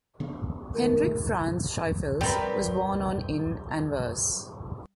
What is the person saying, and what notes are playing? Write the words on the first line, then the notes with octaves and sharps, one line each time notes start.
Hendrik Frans Schaefels was born on in Anvers.
C#3 B3 D4
D#2 G#3 A3 A#4
G3 C4 A#4 B4 G5